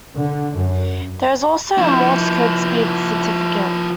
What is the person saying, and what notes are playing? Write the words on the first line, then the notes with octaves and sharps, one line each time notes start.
There is also a Morse Code speed certificate.
D3
F#2
F3 E4